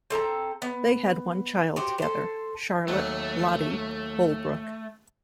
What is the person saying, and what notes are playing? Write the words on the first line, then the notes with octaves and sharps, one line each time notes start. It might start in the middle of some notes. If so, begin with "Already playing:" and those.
They had one child together, Charlotte "Lottie" Holbrook.
C4 A4 A5 A#5
B3
F#4 G4 C5
A4 C5
D#2 F#3 A3